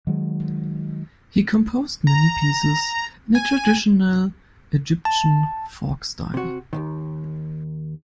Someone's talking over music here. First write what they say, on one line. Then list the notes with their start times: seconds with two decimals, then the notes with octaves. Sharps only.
He composed many pieces in a traditional Egyptian folk style.
0.07 D#3 F#3 G#3
2.07 A#5
3.35 G#5
5.05 A5
6.34 C3 F#4
6.73 D#2 G#2 D#3